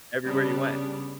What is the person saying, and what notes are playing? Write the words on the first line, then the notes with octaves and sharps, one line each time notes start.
Everywhere you went.
C#3 G3 B3 D4